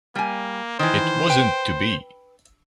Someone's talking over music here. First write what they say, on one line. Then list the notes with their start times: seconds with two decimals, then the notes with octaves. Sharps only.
It wasn't to be.
0.15 G3 A#3 G#5
0.79 D#3 E3 C5
1.27 B4 G5